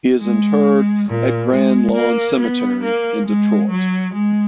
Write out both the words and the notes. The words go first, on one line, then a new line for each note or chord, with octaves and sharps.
He is interred at Grand Lawn Cemetery in Detroit.
G#3
A#2
G#3
A#3
B3
A#3
G#3
F#3
G#3